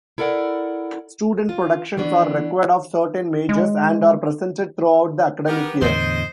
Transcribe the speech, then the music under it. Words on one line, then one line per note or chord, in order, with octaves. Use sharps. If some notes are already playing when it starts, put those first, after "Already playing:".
Student productions are required of certain majors, and are presented throughout the academic year.
E4 A4 A#4 D5 F#5
F4
E3 B3 C#4 D4
G#3
B3 G4 A#4
E2 A2 D3 C5 D#5